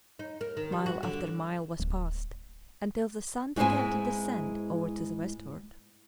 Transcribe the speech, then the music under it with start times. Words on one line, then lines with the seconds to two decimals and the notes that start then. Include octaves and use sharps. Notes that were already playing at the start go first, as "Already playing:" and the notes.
Mile after mile was passed, until the sun began to descend over to the westward.
0.19 D#4
0.41 A#4
0.57 D#3
0.72 G3
0.86 F#4
1.03 D3
1.80 D1
3.56 G#2 G#3 B3 C4 E4 G#5